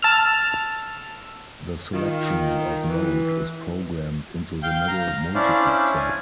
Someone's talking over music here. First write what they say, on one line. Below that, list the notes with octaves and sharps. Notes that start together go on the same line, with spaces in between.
The selection of mode is programmed into the middle multiplexer.
A5 E6 F6
D#3 F4
E3
F5 G5 G6
F5 A#5
C#4 D4 E4 C5 D5 F5
G#5